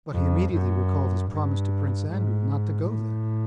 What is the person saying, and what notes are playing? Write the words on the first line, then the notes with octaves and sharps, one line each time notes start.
But he immediately recalled his promise to Prince Andrew not to go there.
F2
F#2
G2
G#2
A2